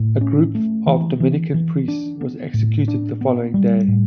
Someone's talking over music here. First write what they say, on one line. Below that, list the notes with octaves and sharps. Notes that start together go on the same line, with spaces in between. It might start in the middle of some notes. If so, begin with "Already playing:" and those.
A group of Dominican Priests was executed the following day.
Already playing: A2
C#4
A3
E3
E3
E3
D4
B3
A2
D4
B3
G3
A2